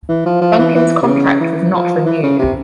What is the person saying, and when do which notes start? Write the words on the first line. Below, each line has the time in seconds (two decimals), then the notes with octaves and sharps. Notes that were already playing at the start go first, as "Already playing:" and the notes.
Dunkin's contract was not renewed.
0.09 E3
0.26 F3
0.41 F3
0.58 E3
0.75 E3
1.02 C3
1.07 C#3
1.40 E3
1.74 F3
2.06 E3
2.23 C#3
2.39 C3